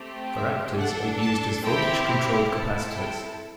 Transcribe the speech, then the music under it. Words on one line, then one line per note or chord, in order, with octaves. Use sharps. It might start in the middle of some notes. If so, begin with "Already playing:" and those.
Varactors are used as voltage-controlled capacitors.
Already playing: A3 C4 G4
E5
D4 A4 F#5
A5
C4 E4 G4 G5
C4 E4 A4 A5
G5